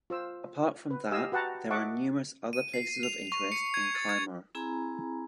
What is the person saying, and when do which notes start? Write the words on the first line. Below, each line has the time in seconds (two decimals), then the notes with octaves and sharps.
Apart from that, there are numerous other places of interest in Kaimur.
0.10 F4 C5 E6
0.91 B4
1.12 G4 D#5 F5 G#5 E6
1.32 F#4 B4 F#5 G5 A5 A#5
1.70 D#5 E5 F#5 A5 C#6 D6
2.53 D#7
2.74 C7
3.03 F7
3.32 C#6
3.52 C#7
3.74 G#6
3.95 A6
4.09 G#6
4.55 C4 E4 G#4 G#5 A#5 B5